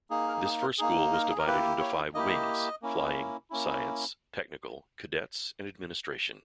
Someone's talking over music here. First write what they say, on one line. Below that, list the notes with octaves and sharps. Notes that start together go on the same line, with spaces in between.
This first school was divided into five "wings": Flying, Science, Technical, Cadets and Administration.
A#3 D#4 G#4
A#4
G#4
A#4
A#3 D#4 G#4
A#4
G#4
A#4
A#3 E4 G4 B4
C#5
A#3 E4 G4 D#5
A#3 C#4 E4
A#3 C#4 E4